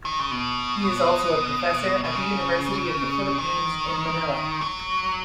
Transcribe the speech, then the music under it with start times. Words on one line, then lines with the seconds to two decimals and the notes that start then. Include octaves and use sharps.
He is also a professor at the University of the Philippines in Manila.
0.05 D#3
0.19 C#3
0.31 B2
2.04 B2
2.15 C#3
3.38 D#3
4.61 F#3